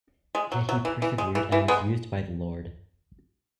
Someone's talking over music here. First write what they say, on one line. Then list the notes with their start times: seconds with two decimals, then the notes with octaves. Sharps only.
Yet he persevered and was used by the Lord.
0.35 G#3
0.52 F#3
0.69 F#3
0.85 E3
1.02 E3
1.18 G#3
1.35 E3
1.52 E3
1.68 G#3 B3